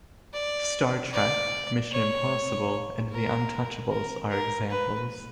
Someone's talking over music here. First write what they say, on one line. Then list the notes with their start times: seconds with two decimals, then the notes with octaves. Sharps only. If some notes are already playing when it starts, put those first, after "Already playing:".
"Star Trek", "Mission Impossible", and "The Untouchables" are examples.
0.33 D5
1.13 D5
1.92 C#5
3.11 A#4
3.90 A#4
4.30 A#4
4.70 B4